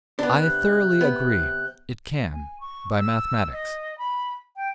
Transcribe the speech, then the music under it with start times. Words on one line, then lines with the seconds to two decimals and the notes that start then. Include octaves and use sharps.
I thoroughly agree, it can--by mathematics.
0.19 B3 D4
0.42 C3 F#6 G6
1.01 B3
2.32 G#5
2.60 C#6
2.98 E6
3.52 D#5
3.98 B5
4.56 G5